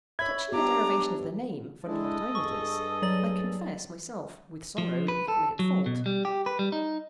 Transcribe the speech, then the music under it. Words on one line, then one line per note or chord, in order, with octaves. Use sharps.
Touching the derivation of the name Vondervotteimittiss, I confess myself, with sorrow, equally at fault.
C#5 E5 B5 G#6
B3 D4 G4 A#5 D6
G#3 D4 E4 A4 D#5
G2 G#4 C#6
F#3 D5 A6
F3
B4
A4
F#3
B2
G3
G4
B4
G3
D#4